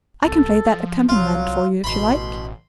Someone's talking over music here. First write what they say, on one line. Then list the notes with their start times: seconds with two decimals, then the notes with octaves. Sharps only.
I can play that accompaniment for you if you like.
0.24 C2 A4
0.65 F3
1.09 C2 F#3 F4
1.84 A1 B2 B5 C6